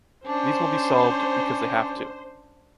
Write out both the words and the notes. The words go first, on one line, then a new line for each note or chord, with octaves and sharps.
These will be solved, because they have to.
C#4 D4 C5